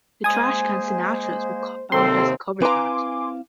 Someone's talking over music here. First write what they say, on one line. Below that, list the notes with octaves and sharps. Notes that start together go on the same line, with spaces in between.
The Trashcan Sinatras were founded as a covers band.
G#3 A#3 C5 G#5 D#6
D#2 C3 C4 A4 C6
C4 E4 B4 F5 G#5 A#5 C6 D6